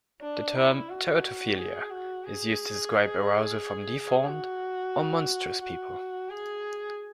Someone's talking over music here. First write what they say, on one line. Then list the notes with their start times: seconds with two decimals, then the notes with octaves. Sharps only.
The term "teratophilia" is used to describe arousal from deformed or monstrous people.
0.22 D4
0.56 E4
0.89 F#4
1.57 G#4
1.90 F#4
2.24 G#4
4.27 F#4
5.63 F#4
6.30 G#4